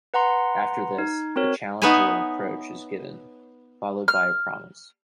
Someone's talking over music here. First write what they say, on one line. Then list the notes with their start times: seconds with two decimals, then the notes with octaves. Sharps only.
After this, a challenge or reproach is given, followed by a promise.
0.14 B4 F#5 A#5 C6
0.98 D#4
1.36 C4 F#4 A#4 C#5
1.82 B3 D#4 B4 C#5 E5 G#5
4.08 F6